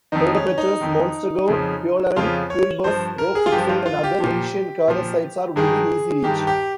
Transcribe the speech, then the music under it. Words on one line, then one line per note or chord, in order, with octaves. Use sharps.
Peyrepertuse, Montsegur, Puilauren, Queribus, Roquefixade and other ancient Cathar sites are within easy reach.
F2 D#3 D#4
C#4
D#4
F2 D#3
F2 C#3 F3
F2 C#3 F3 F4
C#5
G2 F3 C5
A#4
G#4
F4
G2 F3 G4
F4
F4
G4
A#2 F3
A#2 F3
G2 D#3 G#4
G2 D#3 G4
G4